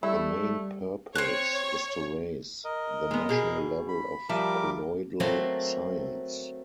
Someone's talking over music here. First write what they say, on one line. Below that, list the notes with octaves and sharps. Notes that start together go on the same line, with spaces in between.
The main purpose is to raise the national level of colloidal science.
G3 A3 E4
C4 C#5 F#6
A#4 D#5
G#3 B3
B2 G#4
B5
F3 G3 A#4 E5 D6
F#3 A3 A#3 C4 A4